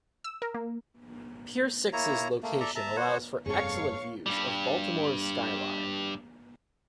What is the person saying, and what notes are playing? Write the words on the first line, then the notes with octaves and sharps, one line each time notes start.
Pier Six's location allows for excellent views of Baltimore's skyline.
E6
A#4
A#3
A#3 E4 C#5 A#5
A3 A#3
A4 D5 E5 A#5
E5 A5 A#5
F#4 C5 C#5 F#5
F1 G2 C4 G#4 A4 C#5 F5 C#6
G2 G3